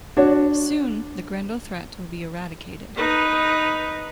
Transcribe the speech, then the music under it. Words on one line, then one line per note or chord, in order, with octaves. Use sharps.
Soon the grendel threat will be eradicated.
D4 F#4 C#5
D#4 B4